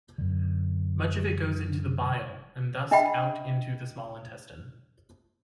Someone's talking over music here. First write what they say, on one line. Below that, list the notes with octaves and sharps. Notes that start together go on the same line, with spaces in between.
Much of it goes into the bile and thus out into the small intestine.
F#2 D3
D4 D#5 E5 F#5 G5 B5